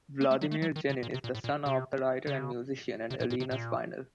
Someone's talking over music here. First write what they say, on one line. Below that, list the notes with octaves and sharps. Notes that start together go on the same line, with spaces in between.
Vladimir Genin is the son of the writer and musician and Elena Spinel.
A#3
A3
F#3
A3
F#3
D#3
C#3
A#2
C3
A#2
A2
A#2
C3
C#3
C3
A#2
A#2
C3
A#2